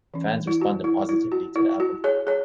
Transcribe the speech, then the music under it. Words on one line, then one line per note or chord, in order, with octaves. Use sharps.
Fans responded positively to the album.
E3 C#4
E4
F#4
E4
E4
F#4
E4
F#4
G#4 C#5
G#4 C#5